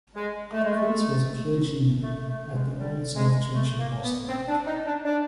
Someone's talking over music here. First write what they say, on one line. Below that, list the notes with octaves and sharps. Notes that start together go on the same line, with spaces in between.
Prince was a clergyman at the Old South Church in Boston.
G#3
A3
G#3
A3
A3
A3
G#3
G3
G#3
A3
A#3
B3
C4
D4
D#4
D4
D4